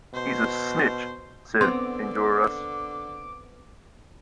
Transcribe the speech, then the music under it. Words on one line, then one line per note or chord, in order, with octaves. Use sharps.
He’s a snitch”, said Enjolras.
B2 C5
D3 B3 C4 C6 D6